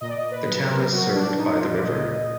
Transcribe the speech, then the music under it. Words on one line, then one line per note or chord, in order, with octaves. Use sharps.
The town is served by the River.
A#2 D#5
D5
D#5
B4
F#3
A#4
F#3 F#4
D4
A#2 D#4
F4
D5
A#2 D#5